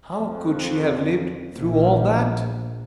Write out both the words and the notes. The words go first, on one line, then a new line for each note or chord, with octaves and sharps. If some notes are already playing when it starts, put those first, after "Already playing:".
How could she have lived throughout all that?
F2
A#1